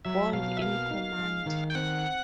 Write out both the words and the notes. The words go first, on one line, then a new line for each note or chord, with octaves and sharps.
Bond in command.
F#3 E5
B2 F5
E5
A#3 F5
D#4
G#3
D#3
G5
C4 F#5